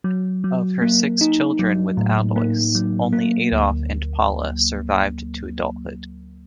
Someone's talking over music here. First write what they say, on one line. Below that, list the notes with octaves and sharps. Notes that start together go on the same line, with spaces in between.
Of her six children with Alois, only Adolf and Paula survived to adulthood.
F#3
F#3
A#3
D#4
F#3
A2
A#3
F#3
A#3
D2